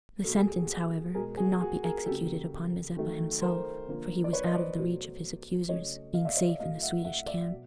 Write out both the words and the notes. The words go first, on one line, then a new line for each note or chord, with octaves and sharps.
The sentence, however, could not be executed upon Mazeppa himself, for he was out of the reach of his accusers, being safe in the Swedish camp.
B2 F#3 A#3 A4
G#4
G4
F#4 G#4
B2 G#3 G#4 A#4
F#4 G#4
F#4 G#4
G#4 A#4
C#3 F#3 A#3 G4 A4
D#3 F#3 A3
A#4 C5
D3 F3 A#3
D5
B4 C#5
D#5
C5 D5
B2 F#3 A3
C#3 F#3 A3 C#5 D#5
D#5 F5
D5 E5
C#5 D#5
D5 E5
A2 F#3 A3 D#5 F5
E5 F#5
E5 F#5
D5 E5
B2 F#3